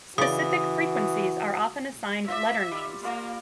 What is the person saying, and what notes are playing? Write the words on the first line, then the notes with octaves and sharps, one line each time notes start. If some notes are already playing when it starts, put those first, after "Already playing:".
Specific frequencies are often assigned letter names.
C#3 E3 F#4 D5 D#6
F4 D5 E5
G3
G3 A#3 F4